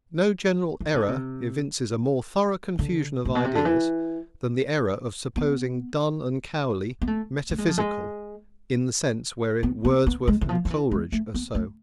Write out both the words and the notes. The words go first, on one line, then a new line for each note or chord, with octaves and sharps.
No general error evinces a more thorough confusion of ideas than the error of supposing Donne and Cowley metaphysical in the sense wherein Wordsworth and Coleridge are so.
E3
D3
C3
D3
A2
B2
C3
D3
E3
B3
B3
A3
A3
G#3
F3
G#3
B3
B3
B3
G#3
E3
F3
F3
E3
G#3
A3
B3
A3